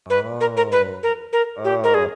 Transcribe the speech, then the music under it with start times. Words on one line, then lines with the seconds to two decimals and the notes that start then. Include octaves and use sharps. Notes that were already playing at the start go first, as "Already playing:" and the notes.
Oh, oh.
0.10 B4
0.41 A#4
0.57 A#4
0.72 B4
1.03 A#4
1.33 A#4
1.64 G4
1.84 A#4
1.94 G#4